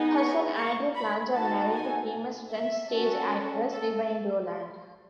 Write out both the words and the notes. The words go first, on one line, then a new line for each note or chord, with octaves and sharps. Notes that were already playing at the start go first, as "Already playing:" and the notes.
Her son Andrew plans on marrying the famous French stage actress Vivienne Rolland.
Already playing: B3 D#4 G#4
C#6
C#6
B5
D#4 F#4 A4 A5
G#5
E5
C#4 F#4 A4
A4